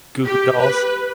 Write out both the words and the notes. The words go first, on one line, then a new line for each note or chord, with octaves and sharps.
Goo Goo dolls.
G4
B4